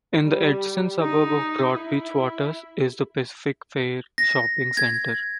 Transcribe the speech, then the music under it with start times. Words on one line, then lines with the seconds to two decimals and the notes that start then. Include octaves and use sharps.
In the adjacent suburb of Broadbeach Waters is the Pacific Fair Shopping Centre.
0.23 G3
1.00 D#4
1.73 E4
4.18 A#6
4.77 G#6